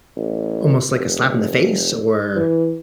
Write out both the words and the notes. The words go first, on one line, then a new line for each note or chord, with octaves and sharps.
almost like a slap in the face or,
A1
F1
E3